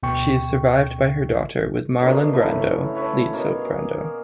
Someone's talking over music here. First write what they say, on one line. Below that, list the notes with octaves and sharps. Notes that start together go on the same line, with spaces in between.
She is survived by her daughter with Marlon Brando, Lisa Brando.
D2 B2 G5 C#6
B2 D3 F#3 A#3
A2 C#3 A3 B4
C#5
A4 B4 C#5
B2 A#3 C#5
G#4